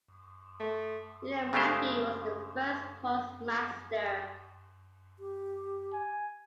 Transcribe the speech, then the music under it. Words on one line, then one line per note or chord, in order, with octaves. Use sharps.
William Mackey was the first postmaster.
A3
C#3 G#3 A3 D4 G4 C5
G4
G#5